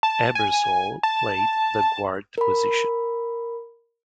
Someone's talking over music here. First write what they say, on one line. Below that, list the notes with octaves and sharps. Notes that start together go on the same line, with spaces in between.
Ebersole played the guard position.
A5
G#5
A5
A#4 B5